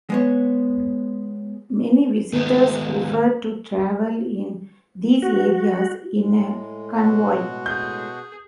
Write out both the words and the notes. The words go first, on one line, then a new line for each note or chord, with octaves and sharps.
Many visitors prefer to travel in these areas in a convoy.
G#3 B3 C#5
D#3 G#3 A3 B3
F#4
A2 G#3
B2 F#4
G#4 G6